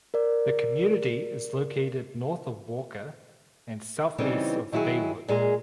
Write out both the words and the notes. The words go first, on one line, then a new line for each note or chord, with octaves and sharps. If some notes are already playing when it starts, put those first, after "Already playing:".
The community is located north of Walker and southeast of Baywood.
A#4 D5
C#3 E3 G3 B3 C4 D#4
D#3 F#3 E4 F#4 G#4
A#2 G#3 G#4 A#5